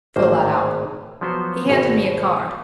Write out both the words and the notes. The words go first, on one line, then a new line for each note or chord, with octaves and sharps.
"Fill that out." He handed me a card.
G#1 A2 A#3 C5
F3 F#3 B3 F#4 C5
G#1 B2 C5 E5